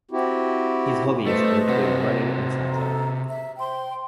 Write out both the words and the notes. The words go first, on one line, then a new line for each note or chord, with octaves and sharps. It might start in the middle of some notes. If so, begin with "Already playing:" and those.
His hobbies include running and cycling.
C4 E4 F#4 G4
A3 B4 C5 D#5
C3 F#4
G#4 A4 A#5
E5
C5 G5 C6